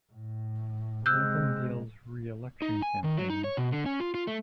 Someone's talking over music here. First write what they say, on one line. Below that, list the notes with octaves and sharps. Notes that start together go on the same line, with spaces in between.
Nathan Deal's re-election campaign.
A2
C3 G#3 E6 F#6 G6
D#4
G#5
D#3
F#3
D#4
C#5
B2
D3
C#4
F4
F4
A3